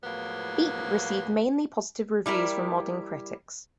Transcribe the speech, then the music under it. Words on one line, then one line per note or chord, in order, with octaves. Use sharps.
"Beep" received mainly positive reviews from modern critics.
E2 A2 F3 F#3 A#3 B3
G3 E4 G4 A#4